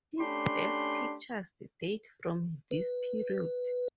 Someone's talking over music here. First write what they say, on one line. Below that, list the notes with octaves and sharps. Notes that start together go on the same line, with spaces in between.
His best pictures date from this period.
A3 C#4 D4 G4 B5 C6
B4